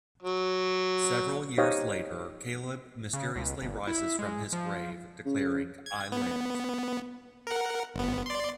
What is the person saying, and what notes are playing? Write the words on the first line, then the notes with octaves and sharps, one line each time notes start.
Several years later, Caleb mysteriously rises from his grave, declaring, I live...
F#3
D#4 G4 C5 C#5 D#5 F5
C#3
C#2
G1
E4
G#3
F3
C#3
G#6
B3
A#4 F#5
G1 B3
D5 C6